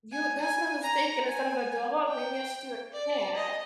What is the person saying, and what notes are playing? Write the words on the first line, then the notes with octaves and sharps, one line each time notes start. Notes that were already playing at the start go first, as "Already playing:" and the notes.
You that's what I was thinking, instead of a dog, maybe I should do a cat.
G#5
G#5
A#5
G#5
G5
D5
D#5